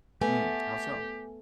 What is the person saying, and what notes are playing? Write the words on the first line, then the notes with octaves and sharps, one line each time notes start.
Hmm, how so?
A3 B3 G4 G#5